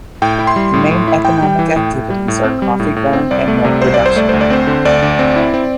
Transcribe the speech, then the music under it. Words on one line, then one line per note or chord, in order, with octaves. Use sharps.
The main economic activities are coffee growing and milk production.
A2 G5
E4
C6
G3
A2
A2
E4
A2 G5
G3
E3
A2
A2
G3
A2
C4
G3
A2
A2
C4
C2 D5
A3
C3
C2 C5
D5
C2
C5
A3 D5
D2 C5
D5
C4 C5
D3
D2 D5
D2
C4
E4
C4